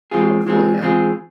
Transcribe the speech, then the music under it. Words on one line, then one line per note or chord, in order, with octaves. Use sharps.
Oh, cool, yeah.
E3 G#3 C4 F4 G#4
E3 G#3 C4 F4 G#4
E3 G#3 C4 F4 G#4